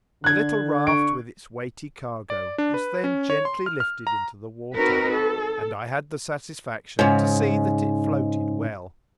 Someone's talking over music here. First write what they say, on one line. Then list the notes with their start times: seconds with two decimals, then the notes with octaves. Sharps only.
The little raft with its weighty cargo was then gently lifted into the water, and I had the satisfaction to see that it floated well.
0.24 D3 D4 F#6 G#6
0.87 C#6 D7
2.30 D5
2.58 D4
2.74 B4
3.04 C#4
3.30 C#5
3.45 C6
3.66 F6
3.80 F6
4.07 A#5
4.75 C4 D#4 F#4 A#4 B4
5.15 A4
6.99 G#2 C#3